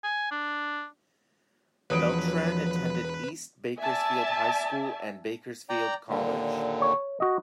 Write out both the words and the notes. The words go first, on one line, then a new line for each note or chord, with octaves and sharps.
Beltran attended East Bakersfield High School and Bakersfield College.
G#5
D4
E1 F3 F#3 B4 D#6 D7
D5 E5 G#5 A5
D5 G5 A#5
D#2 A#2 D3
C#5
F#4 D#5